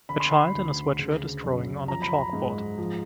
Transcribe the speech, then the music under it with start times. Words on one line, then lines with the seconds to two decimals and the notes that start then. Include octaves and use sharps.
A child in a sweatshirt is drawing on a chalkboard.
0.09 D3 B5
0.20 C6
0.31 B5
0.55 D2
0.99 C#3
1.44 F#2
1.88 F3 A#5
2.02 B5
2.14 A#5
2.33 G#2
2.78 F3